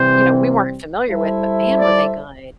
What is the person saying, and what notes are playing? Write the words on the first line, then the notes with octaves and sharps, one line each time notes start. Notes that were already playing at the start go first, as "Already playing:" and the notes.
you know, we weren't familiar with, but man, were they good.
Already playing: C3 E3 G3 C4 C5
G3 E4 A4 C5 E5
D5